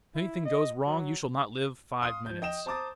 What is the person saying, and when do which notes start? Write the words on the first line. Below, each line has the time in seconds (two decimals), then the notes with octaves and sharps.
If anything goes wrong you shall not live five minutes.
0.15 E4
0.46 D#5
0.86 F#3
2.02 F5 C6 D#6
2.26 F3 G6
2.42 D#5 G5 D#6 E7
2.66 C5 A5 A#5 D6 D#6 A6